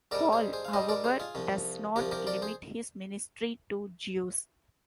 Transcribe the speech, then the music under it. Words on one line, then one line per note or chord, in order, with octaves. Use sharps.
Paul, however, does not limit his ministry to Jews.
G#2 G3 D4 A#4 D5
G#4 C5
G#4 C5
F5
G#2 G3 D4 C5 D#5
A#4 D5
G#4 C5
F4 G#4
C2 C3 F3
C2 C3 F3 G4 A#4
G4 A#4
A#4 D5
G#4 C5